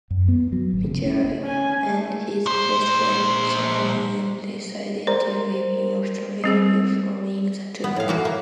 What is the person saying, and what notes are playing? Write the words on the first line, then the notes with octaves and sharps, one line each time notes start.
Michael and his best friend then decided to live in Australia following the tour.
F#2
B3
F#3
G#1
C#3
C#4
C#4 G#5
A3
A#2 C5
A#4 C5 D5
G3 C4 G#4
B3
A2 F5
E3 A#3 F#4
A#3